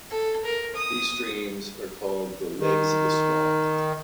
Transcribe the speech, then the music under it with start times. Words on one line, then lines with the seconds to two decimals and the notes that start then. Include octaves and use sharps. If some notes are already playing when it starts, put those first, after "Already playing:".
These streams are called the "legs" of the swap.
0.10 A4
0.45 A#4
0.75 D#6
2.59 D#3